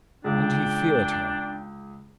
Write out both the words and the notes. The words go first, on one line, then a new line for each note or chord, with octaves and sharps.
And he feared her.
C#2 D4 G5